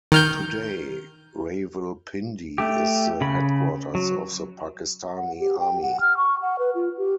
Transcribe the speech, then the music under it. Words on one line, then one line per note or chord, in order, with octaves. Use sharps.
Today Rawalpindi is the headquarters of the Pakistani Army.
D#3 F6 G6
A3 G4
C#3 B5
F#3
F#5
G4
G5
F#5
F6
C#6
F#5
B4
F4
G4